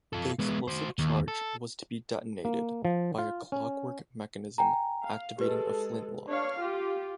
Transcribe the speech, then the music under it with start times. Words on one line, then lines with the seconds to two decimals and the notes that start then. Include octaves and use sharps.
The explosive charge was to be detonated by a clockwork mechanism activating a flintlock.
0.13 F4 A4
0.39 G#3 B3
0.68 F#4 C5
0.99 D#2
1.28 A4
2.45 A#3
2.85 F3
3.18 F4
3.52 C#4
4.58 G5 G#5 A#5
5.04 F5
5.38 G#3 G4 A4 B4
6.27 D4 C#5 F5
6.60 F4 G4